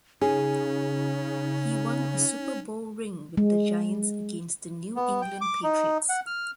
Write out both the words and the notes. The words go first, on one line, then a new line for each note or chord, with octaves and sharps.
He won a Super Bowl ring with the Giants against the New England Patriots.
C#3 C#4 D#4 G#4
G#3
B3
G5
D6
D#4
F#5
F6